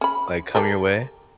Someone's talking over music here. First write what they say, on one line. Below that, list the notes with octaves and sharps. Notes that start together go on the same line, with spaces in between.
like, come your way.
C#4 B5
G4 A4 A#4